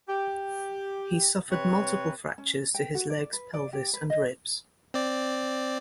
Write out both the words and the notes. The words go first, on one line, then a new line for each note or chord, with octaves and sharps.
He suffered multiple fractures to his legs, pelvis and ribs.
G4
C3 B4 C#5
C#4
G5
F#4
D5
B4
D5
G4
B4
D#5
C4 D5